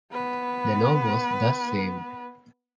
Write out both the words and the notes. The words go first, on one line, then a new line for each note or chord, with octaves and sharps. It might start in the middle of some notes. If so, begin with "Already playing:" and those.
The law was thus saved.
B3 B4